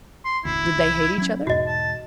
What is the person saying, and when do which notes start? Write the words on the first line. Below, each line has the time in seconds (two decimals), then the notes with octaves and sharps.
Did they hate each other?
0.25 C6
0.45 E1 A1 D2 E4
0.76 C2
1.18 F#3 C#4
1.47 E2 G#2 B2 F#4 D#5
1.67 A5